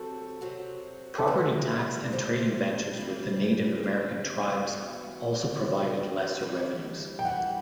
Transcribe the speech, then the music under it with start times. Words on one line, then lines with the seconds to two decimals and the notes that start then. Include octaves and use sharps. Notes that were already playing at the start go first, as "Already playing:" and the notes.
Property tax and trading ventures with the Native American tribes also provided lesser revenues.
Already playing: C3 F#3 C4 F#4 A4
0.41 C3 F#3 C4 F#4
1.18 A4
1.26 E3 A3 E4 G4 B4
2.04 D5
2.12 E3 A3 E4 G4 C5
2.98 C3 E3 G3 C4
3.83 C3 E3 G3 C4
4.69 F#2 E3 B3 F#4
5.54 F#2 E3 B3 F#4
6.39 G2 E3 G3
7.19 G5
7.25 G2 E3 G3 F#5